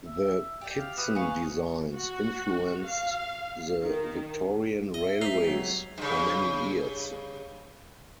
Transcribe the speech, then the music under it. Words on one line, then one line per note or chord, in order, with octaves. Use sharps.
The Kitson designs influenced the Victorian Railways for many years.
E5
G4 D5 G5
F5
F#4 B4 D#6
G#4 F5 C#6
F#4
F5
D#3
D#5 E5
D#4 C5 B6 C7
G3 G#3 B3
F#3 C#5
G2 C#3